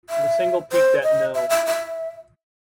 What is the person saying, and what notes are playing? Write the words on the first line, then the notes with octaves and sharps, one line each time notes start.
The single peaked at no.
E5
C5
D#5
E5
E5
E5